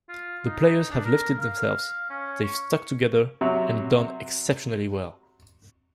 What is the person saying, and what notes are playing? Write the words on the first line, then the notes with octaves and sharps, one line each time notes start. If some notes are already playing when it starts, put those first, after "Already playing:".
The players have lifted themselves - they've stuck together and done exceptionally well.
F4
D#4
D4
A#4
F5
C#4
C#6
C3 F#3